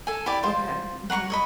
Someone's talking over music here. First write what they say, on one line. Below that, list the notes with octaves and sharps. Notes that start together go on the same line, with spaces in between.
Okay, mhm.
A4 G#5
E4 G4 D5
F4 C5
F#5 A#5 C6 C#6
C#5 D#5 B5